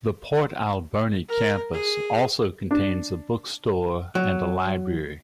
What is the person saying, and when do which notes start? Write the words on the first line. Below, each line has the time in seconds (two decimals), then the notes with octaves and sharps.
The Port Alberni campus also contains a bookstore and library.
1.29 A#4
1.74 G#4
2.71 D4
4.15 F#3